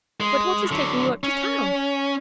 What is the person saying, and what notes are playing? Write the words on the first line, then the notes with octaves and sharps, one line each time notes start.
But what is taking you up to town?
G#3
D3 F#3
C#4